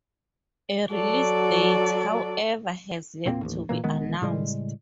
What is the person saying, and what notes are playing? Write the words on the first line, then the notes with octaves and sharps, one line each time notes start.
A release date, however, has yet to be announced.
F#3 F#4 A4 D5
E1 A#2 A#3 C4
A1 D#2 A2
A#2 E3 A#3
A#1 D#3 G#3 B3
A2 C#3 G3 G#3